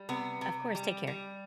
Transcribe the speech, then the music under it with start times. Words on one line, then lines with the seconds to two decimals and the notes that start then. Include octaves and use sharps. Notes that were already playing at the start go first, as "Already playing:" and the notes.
Of course, take care.
Already playing: G3
0.09 C3 B3
0.41 C3
0.75 G3
1.07 G3